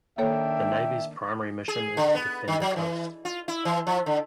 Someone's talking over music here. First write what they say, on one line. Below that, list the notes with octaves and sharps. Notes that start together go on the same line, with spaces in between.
The Navy's primary mission is to defend the coast.
D#3 A#3 D4 A4 C#5 E5 G5
G#4
D3
B3
D#3
F#3
E3
F4
E4
E3
F3
D3